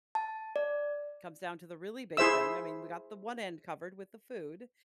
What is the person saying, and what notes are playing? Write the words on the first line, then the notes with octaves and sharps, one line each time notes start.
comes down to the really big thing. I mean, we got the one end covered with the food,
A5
D5
E4 G#4 C5 E5 E6